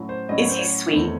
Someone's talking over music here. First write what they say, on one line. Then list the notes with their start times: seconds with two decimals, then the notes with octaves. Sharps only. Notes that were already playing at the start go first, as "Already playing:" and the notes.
Is he sweet?
Already playing: A2 F#3 C#4
0.09 C5
0.29 A2 F#3 C#4 D#5
0.39 C#5
0.49 C5
0.59 C#5
0.90 E2 D#3 A3 C4